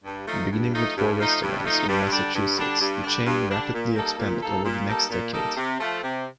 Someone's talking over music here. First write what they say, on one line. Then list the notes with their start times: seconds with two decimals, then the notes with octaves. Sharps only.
Beginning with four restaurants in Massachusetts, the chain rapidly expanded over the next decade.
0.04 G2
0.27 F3 A3 D#4
0.51 G2
0.72 F3 A3 D#4
0.96 G2
1.20 F3 A3 D#4
1.42 G2
1.65 F3 A3 D#4
1.88 G2
2.11 D3 G3 D4
2.34 G2
2.57 D3 G3 D4
2.80 G2
3.03 D3 G3 D4
3.26 G2
3.49 D3 G3 D4
3.73 A#2
3.95 G3 A#3 D#4 A4
4.19 A#2
4.41 G3 A#3 D#4 A4
4.64 A#2
4.87 G3 A#3 D#4 A4
5.10 A#2
5.33 G3 A#3 D#4 A4
5.57 C3
5.79 F3 A3
6.03 C3